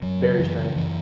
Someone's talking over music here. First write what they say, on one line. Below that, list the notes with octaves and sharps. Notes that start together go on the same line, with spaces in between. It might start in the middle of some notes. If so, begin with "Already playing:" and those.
very strange.
F#2 F#3
C#3
F#2 E3
C#3
F#2 E3